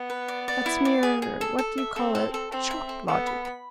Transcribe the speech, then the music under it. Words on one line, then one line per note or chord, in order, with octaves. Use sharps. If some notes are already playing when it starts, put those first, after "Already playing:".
That's mere--what do you call it?--chop logic.
Already playing: B3
B4
D5
D5
E4
D5
G#4
G#4
A4
A4
E5
C4 A4
A4
A4
C4 A4
E5
A4
B3 A4
B5
B5